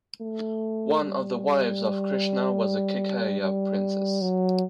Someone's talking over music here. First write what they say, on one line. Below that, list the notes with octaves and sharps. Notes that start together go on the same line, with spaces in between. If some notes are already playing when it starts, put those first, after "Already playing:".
One of the wives of Krishna was a Kekaya princess.
A3
G3
G3
F#3